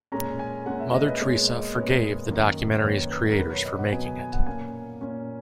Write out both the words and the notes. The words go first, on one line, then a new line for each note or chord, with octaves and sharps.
Mother Teresa "forgave" the documentary's creators for making it.
A#2 G#3 C#4 A#5
G#5
A#2 G#3 C#4 F#5
E5
D#5
B4
A#2 G#3 B3 C#5
D#5
A#2 G#3 B3 C#5
F#2 D#3 A#3 D#4
C#5
F#2 D#3 A#3 D#4 B4
B4
A#4
B2 F#3 B3 B4
C#5
D#5
F#5
B2 F#3 B3 G#5
G#5
G#5
F#5
A#2 A#3 C#4 G#5
A#2 A#3 C#4